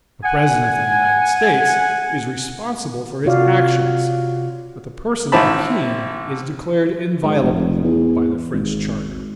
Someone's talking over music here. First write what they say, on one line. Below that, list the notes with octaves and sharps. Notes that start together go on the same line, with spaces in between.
The President of the United States is responsible for his actions; but the person of the King is declared inviolable by the French Charter.
F#5 G#5
C3 F4 F#4 C#5 D5 F5
A1 D#3 C4 E5 A5 B5
G#2
F1
E2
G#1